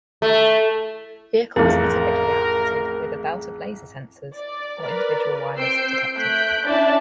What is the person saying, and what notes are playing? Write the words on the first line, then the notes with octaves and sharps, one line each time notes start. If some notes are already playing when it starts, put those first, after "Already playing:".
Vehicles are typically outfitted with a belt of laser sensors or individual wireless detectors.
A3
A1 F2 G#4 A#4
D5
A#4 B4 D5
C4 E6 G6 C7 D7
A3 F#6 G6 B6 D7
C#4 D4 E4 D5 E5 A5